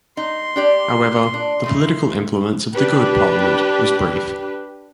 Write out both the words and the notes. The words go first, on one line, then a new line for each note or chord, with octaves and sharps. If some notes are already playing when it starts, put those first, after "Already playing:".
However, the political influence of the Good Parliament was brief.
D#4 C6
D4 G4 D5
D4
C#3 G#3 A3
D4 G4 B4